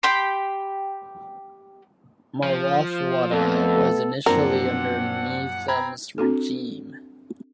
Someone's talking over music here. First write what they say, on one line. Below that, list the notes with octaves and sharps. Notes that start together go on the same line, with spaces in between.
Marathwada was initially under Nizam's regime.
G4 G5 B5 C6
F3
F2 A3 B3 A4
F#2 A#2 F3 C4 D4 A#4 F#5
C4 A#5 B5 G#6
C4 D4 F#4 A4